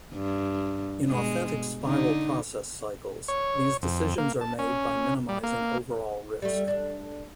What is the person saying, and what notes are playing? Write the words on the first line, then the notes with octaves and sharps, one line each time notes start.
In authentic spiral process cycles, these decisions are made by minimizing overall risk.
G2
B2 G#3
D3 D#4
C#5
F2
A#3
A5
C#4
G3
A#3
G3 A3
D4